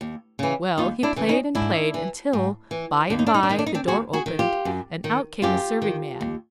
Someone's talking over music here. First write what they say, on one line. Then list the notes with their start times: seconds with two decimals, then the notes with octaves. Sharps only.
Well, he played and played until, by-and-by, the door opened, and out came a serving-man.
0.01 D#2
0.39 C#3 E3
0.78 D#2 D#4 F4
1.03 D4 E4
1.16 C#3 E3
1.29 C#4 D#4
1.55 G#2 D4 E4
1.94 E3
2.33 G#2
2.71 E3
3.10 D#2 D4
3.19 D#4
3.26 D4
3.34 D#4
3.43 D4
3.49 D#3 D#4
3.59 D4
3.66 D#4
3.74 C4 D4
3.88 D#2 F#4 G#4
4.13 F#4 G#4
4.26 D#3
4.39 F4 G4
4.65 F#2
5.04 D#3
5.42 F#2 F4 G4
5.82 D#3
6.21 D#2